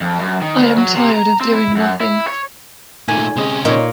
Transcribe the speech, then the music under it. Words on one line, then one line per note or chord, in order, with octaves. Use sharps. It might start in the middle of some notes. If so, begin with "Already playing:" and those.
I am tired of doing nothing.
F2
F#2
D#3
D2
F#3
C3
A#5
C4
E4
F#2
E4
C#5
A#2 D#3 A3 G#5
C3 G#3 C#4 D#5
A#2 D#4 C#5